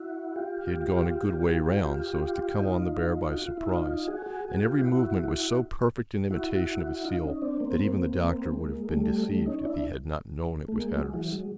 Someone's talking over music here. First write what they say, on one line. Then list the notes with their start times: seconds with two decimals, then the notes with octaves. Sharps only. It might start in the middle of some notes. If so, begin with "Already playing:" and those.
He had gone a good way round, so as to come on the bear by surprise, and every movement was so perfect an imitation of a seal, that even the Doctor would have been deceived if he had not known it was Hatteras.
Already playing: E4 F#4
0.36 F4 G4
1.10 F4 G4
1.29 F4 G4
1.47 F4 G4
1.66 F4 G4
1.84 F4 G4
2.60 D#4 F4
3.34 F#4
3.46 F4
3.57 E4
3.69 D#4 F4
4.07 F#4 G#4
4.26 F#4 G#4
4.45 F#4 G#4
4.63 F4 G4
4.82 E4 F#4
6.31 E4 F#4
7.04 D#4 F4
7.24 C#4 D#4
7.42 C4 D4
7.60 A#3 C4
7.79 A#3 C4
8.54 G#3 A#3
8.91 G3 A3
9.28 G3 A3
9.46 C#4 D#4
9.65 D4 E4
10.68 A3
10.76 G#3 A#3
10.95 F#3 G#3
11.13 E3 F#3
11.32 F#3 G#3